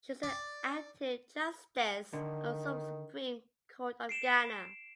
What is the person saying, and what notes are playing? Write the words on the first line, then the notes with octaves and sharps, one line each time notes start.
She is an active justice of the Supreme Court of Ghana.
D5
D3 D#3
C7 D7 E7